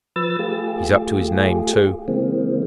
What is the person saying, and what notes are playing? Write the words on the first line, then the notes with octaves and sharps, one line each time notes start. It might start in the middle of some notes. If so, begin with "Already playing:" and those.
He's up to his name too.
F3 B4 E6 A6
A3 F4 G4 G#4
C#3 E3 G#3 A#3 C4